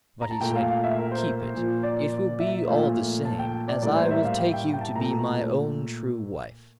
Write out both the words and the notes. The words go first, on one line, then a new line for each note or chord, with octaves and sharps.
But he said: 'Keep it; it will be all the same, as I will take you to be my own true wife.'
A#5
A5
A#2 A3 G5
F5
F5
E5
A#4
C5
A#2 F3 A#3
D5
E5
A#2 F3 A3 F5
A5
G5
D5
A2 G3 A#3 D5
C5
E5
F5
G5
G5
G5
A5
A#2 A3 A#5